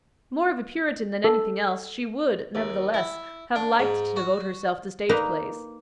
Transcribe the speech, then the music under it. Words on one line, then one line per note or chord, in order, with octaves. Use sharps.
More of a Puritan than anything else, she would, nevertheless, have liked to devote herself to stage plays.
A4
D#2
E4
D4
G#2
F#4
A#3 D#4 B4 A#5